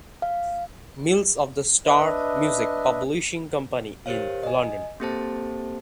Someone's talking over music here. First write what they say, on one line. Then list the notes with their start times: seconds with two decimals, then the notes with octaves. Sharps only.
Mills of the Star music publishing company in London.
0.22 F5
1.86 D4 B4 D#5 E5
4.06 G4 A#4 C5 C#5 F5
4.43 D#5 G#5
5.00 A#3 C4 G4 A4 C5 A5